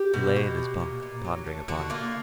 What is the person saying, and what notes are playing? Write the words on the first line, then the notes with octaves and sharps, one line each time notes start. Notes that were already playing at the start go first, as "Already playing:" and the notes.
He lay in his bunk pondering upon it.
Already playing: G4
B2
B2
B2
A#2
A#2
F#3
A3
D3 F#4
A#3 F4